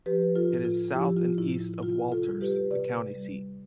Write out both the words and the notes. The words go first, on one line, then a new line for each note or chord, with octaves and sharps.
It is south and east of Walters, the county seat.
F3 G4 B4
F4 A4
A2
F4
F3 E4 G4
F4
A2 E4
E4
C3 F4
F4 A4
G3
G4 B4
C3 B4 D5
G3